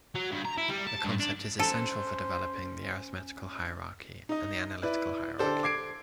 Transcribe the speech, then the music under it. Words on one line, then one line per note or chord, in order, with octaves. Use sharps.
The concept is essential for developing the arithmetical hierarchy and the analytical hierarchy.
F#3
G2
A#5
E4
G3
A5
G2
D4
C#4 A4 C5 A#5
D#4 D#5
E4 B4 D5
D3 G4 A4 C5 D5
D6 G#6 C7 D7